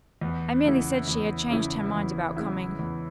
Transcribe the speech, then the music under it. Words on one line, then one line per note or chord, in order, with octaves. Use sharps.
"I merely said she had changed her mind about coming."
E2
C#3 G#3 E4
E2
C#3 G#3 E4
E2
C#3 G#3 E4
E2